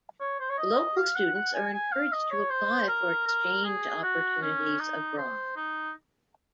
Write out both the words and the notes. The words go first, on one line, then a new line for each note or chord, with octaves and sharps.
Local students are encouraged to apply for exchange opportunities abroad.
C#5
C5
C#5
D#5
F5
F#5
F#5
G#5
G#5
F5
D#5
C#5
C5
A#4
A#4
G#4
F#4
C#4
D#4
C5
D#4